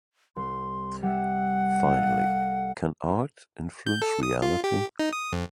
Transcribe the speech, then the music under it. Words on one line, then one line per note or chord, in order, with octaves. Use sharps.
Finally, can art influence reality?
C2 C6
G3 E5 F#5
A4 D#5 F5
G6
A4
D#6
F4
G4
D#4
D#6
F2